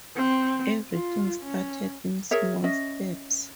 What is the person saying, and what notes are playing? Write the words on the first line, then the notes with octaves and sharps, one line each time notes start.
Everything started in small steps.
C4
F4
C#4
G#4 A#4 C#5 E5
C#4 D#5 E5